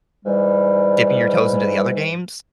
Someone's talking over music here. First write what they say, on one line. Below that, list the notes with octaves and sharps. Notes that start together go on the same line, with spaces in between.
dipping your toes into the other games?
G#2 E3 G3